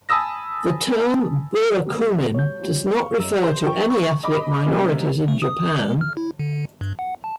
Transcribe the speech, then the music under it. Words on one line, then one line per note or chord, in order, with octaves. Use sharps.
The term burakumin does not refer to any ethnic minorities in Japan.
G#5 A5 B5 D#6 E6 A#6
B2 G3 A3
C#5 G6
F3 G3
F5 C#6
F#2 C#5 D#5 A#5 E6
G#4 C5
F3 G5 C#6
C#6
D#5 B5 D6
C3 G3 G#3 A#3 C#4
A3
D#6
G#3
F6
E4
D3
G2
F#5
A5